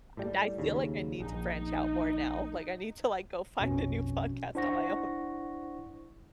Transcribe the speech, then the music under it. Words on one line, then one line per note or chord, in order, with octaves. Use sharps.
And I feel like I need to branch out more now, like, I need to like, go find a new podcast on my own.
A2 G3
D#2 C#3
A#1 D#4
A#1 F2 B2 C#4
D4 E4 C5 F#5 C#6 A#6